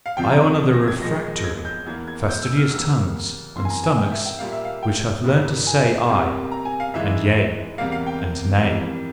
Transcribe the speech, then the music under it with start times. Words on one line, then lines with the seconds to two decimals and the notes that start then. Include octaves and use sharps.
I honour the refractory, fastidious tongues and stomachs, which have learned to say "I" and "Yea" and "Nay."
0.06 F5
0.17 F2 C3 F3 G5
0.31 A#5
0.45 C#6
0.73 A#6
0.88 G#6
1.02 A#2 F3 G#3 A#6
1.37 A#6
1.44 G#6
1.65 G6
1.86 E2 E3 A#3 G#6
2.07 G#6
2.29 G6
2.43 E6
2.57 F6
2.71 E2 C#3 G3 A#3 E6
3.56 C3 E3 A#3 C6
3.65 G#5
3.70 A#5
3.83 G#5
3.97 G5
4.12 E5
4.25 G5
4.39 A#2 G3 A#3 F5
4.52 E5
4.65 F5
4.83 G5
5.24 G2 E3 A#3
5.67 G#5
6.09 C3 G3 A#3
6.52 A#5
6.65 G#5
6.80 F5
6.94 G#2 E3 G#3 E5
7.78 E2 C3 G3 A#3 F5
7.92 F5
8.06 G5
8.63 F2 E3 G3 A#3